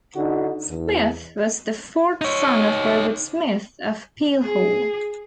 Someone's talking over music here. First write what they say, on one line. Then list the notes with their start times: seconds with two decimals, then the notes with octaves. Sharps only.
Smyth was the fourth son of Robert Smyth of Peel Hall.
0.16 D3 D#4 E4 F#4
0.69 E2
2.21 D#4 C#5
4.43 G#4